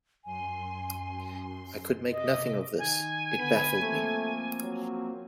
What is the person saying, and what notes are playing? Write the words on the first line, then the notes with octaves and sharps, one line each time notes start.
I could make nothing of this. It baffled me.
F#2 G#5 C6
C3 D#5 E5 D6
D#3 G#5
D3 B3 B5
F3 A3 A#3 C4
F#3